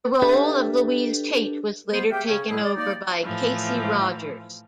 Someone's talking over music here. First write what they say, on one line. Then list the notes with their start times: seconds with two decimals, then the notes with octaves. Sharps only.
The role of Louise Tate was later taken over by Kasey Rogers.
0.22 D4 G4 A4 B4 E5
1.92 G3 G#3 B3 C5
2.11 G4 G#4 E5 F5 G5
2.28 C#3 C#4
2.48 A2 G3 G#3 E4 G#4
2.63 D5
2.76 A#3 D#4 D5
3.24 A2 E3 F3